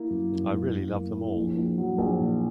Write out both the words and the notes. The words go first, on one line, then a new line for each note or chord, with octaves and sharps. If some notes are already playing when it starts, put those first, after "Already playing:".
I really love them all.
Already playing: A#3 E4
F#2
F#2
A#3
A#3
A#3
E4
A#1
A#1
F#3
A#1
A#2